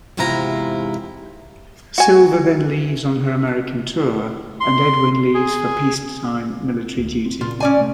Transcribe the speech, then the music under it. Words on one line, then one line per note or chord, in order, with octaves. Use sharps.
Silva then leaves on her American tour, and Edwin leaves for peacetime military duty.
E2 G#2 C3 E4 F4 A#5
F#4 G#5
C6
G#4
D2
D1 C4
A#2 C#3 F4
C#4 D5 G#5
C3 A3